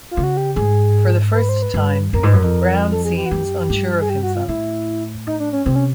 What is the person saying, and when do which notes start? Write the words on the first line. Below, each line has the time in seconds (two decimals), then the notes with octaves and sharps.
For the first time, Browne seems unsure of himself.
0.11 F4
0.17 C#3
0.23 F#4
0.37 G4
0.56 G#2 G#4
1.34 B4
1.49 C5
1.62 B4
1.74 G2
2.13 F2 A#4
2.23 G#2 B4
2.33 F#2
2.39 F2 A#4
2.92 A4
3.05 G#4
3.17 G4
3.26 F#4
3.31 F#2 G4
3.70 G2
4.01 G#4
4.10 G4
4.23 F#4
4.35 F4
4.48 A2 E4
5.27 D#4
5.40 D4
5.53 C#4
5.66 C3 C4
5.76 C#4